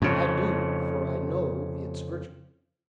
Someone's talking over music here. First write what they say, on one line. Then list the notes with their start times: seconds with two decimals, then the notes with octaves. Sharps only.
"I do, for I know its virtue."
0.02 F2 C#3